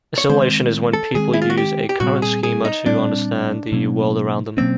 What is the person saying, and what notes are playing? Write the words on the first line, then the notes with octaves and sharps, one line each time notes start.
Assimilation is when people use a current schema to understand the world around them.
C#5
D#3 G#3 C4 C5
A4
D#3 G#3 C4 G#4
E4
F4
F#4
G4
G4
A#2 G3 C4 F#4
G#4
G#4
D#4
A#2 G3 C4 D4
B2 F#3 A#3 C#4
B2 F#3 A#3 C4 C#4